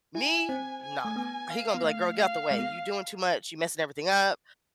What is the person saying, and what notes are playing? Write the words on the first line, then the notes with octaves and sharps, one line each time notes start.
me? Nah. He gonna be like, "Girl, get out of the way. You doin' too much, you messing everything up.
E4 G#5
C4
G#5
A3
B3
F5
B3
A3
F5
G#3
B3